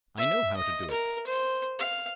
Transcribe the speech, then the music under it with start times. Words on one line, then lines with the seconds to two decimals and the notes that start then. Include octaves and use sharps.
I know how to do it.
0.18 E5
0.57 D#5
0.90 A#4
1.27 C5
1.79 F5